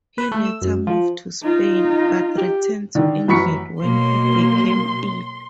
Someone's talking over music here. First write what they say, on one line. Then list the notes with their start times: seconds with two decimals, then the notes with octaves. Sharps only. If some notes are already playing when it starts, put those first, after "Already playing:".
He later moved to Spain, but returned to England when he became ill.
0.18 B4
0.32 A3
0.45 E6
0.62 F#2
0.87 F3
1.42 D#4 F4
2.38 G4
2.95 D3 D#3
3.28 A1 F#2 B5 C#6 B6 C#7
3.82 B2 F#3 A#3 C6